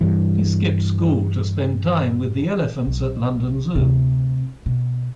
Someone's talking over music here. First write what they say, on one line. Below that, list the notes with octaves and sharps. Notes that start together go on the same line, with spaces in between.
He skipped school to spend time with the elephants at London Zoo.
G2 E3
B1
D2 C3
B2